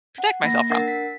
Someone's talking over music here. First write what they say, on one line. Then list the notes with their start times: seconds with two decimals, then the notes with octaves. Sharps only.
protect myself from.
0.18 F#5
0.43 A#3 A#6
0.70 D4 A#4 F#5 A6 C7
0.88 B6